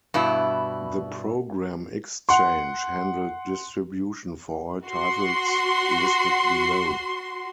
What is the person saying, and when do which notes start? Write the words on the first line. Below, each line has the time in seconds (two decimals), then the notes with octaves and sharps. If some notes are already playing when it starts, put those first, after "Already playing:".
The Program Exchange handled distribution for all titles listed below.
0.14 G2 B2 E4
2.29 F#5 C6
4.87 F#4 C6